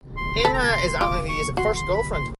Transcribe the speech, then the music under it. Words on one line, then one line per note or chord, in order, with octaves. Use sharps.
Emma is Antony's first girlfriend.
C6
C6
A4 B5
A#5
A5
C6
C6
F4 D6
C#6
F#4 C6
C6
B5
C6